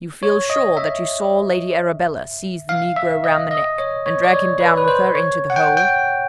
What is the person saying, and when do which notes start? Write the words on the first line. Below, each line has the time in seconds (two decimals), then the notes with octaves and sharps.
"You feel sure that you saw Lady Arabella seize the negro round the neck, and drag him down with her into the hole?"
0.23 C#5
0.50 D#5
0.77 E5
2.69 F5
2.96 E5
3.24 D#5
3.51 D#5
3.78 C#5
4.06 C#5
4.24 D5
4.33 C#5
4.60 B4
4.77 B4
4.88 C5
5.15 C#5
5.50 F#5
5.56 G5
5.77 G5